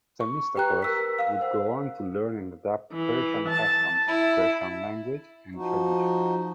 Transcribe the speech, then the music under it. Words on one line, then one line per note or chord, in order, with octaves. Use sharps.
Themistocles would go on to learn and adopt Persian customs, Persian language, and traditions.
C#6
G4 B4 G5 A#5 F#6
A#4 E6 B6
F5 E6
C5 F#5
E3
A5
E4
F3 D#4 F#4